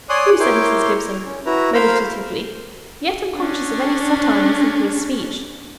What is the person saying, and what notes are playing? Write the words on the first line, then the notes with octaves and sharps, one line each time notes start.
"True!" said Mrs. Gibson, meditatively, yet unconscious of any satire in Cynthia's speech.
C#5 D5 G#5 C6 D#6 F#6
E4 A#4 C#5 G5 C6 D6
A#5
C#4
E4 F#4 B4 A#5
A#4 C5 F5 B5
C#4 D4